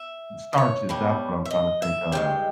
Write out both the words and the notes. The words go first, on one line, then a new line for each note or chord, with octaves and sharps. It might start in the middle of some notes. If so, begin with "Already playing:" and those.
starches, that's what I'm trying to think of.
Already playing: E5
D#5
C#5
B2 G3 B3
E5
D#5
E5
G2 D#3 G#3 G5